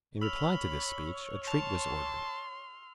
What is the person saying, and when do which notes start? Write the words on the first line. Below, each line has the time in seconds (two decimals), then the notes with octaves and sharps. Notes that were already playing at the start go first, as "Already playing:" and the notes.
In reply to this speech a treat was ordered.
0.22 C#5 B5 E6 F6 F7
1.48 A5 C6 F7